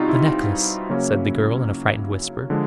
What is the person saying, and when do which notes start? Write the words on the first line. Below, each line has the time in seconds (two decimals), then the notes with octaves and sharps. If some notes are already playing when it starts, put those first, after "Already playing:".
"The necklace," said the girl, in a frightened whisper.
Already playing: B2 G3 C4 D#4 F4 F#4
0.09 E4
0.89 C#3 F#3 A#3 C#4
2.50 D3 F3 G#3